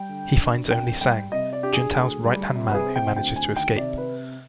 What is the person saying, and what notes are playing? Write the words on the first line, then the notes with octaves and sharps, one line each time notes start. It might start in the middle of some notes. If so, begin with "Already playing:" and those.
He finds only Sang, Juntao's right-hand man, who manages to escape.
Already playing: G3 G5
D3
D4
C2 G5
G3 G5
C3 D#5
D5
D4 G4
G#4
D2 G#4
G3
C3
B4
G#4
C4
G5
D2 G5
G#5
D#3
G5
C3 D5
B4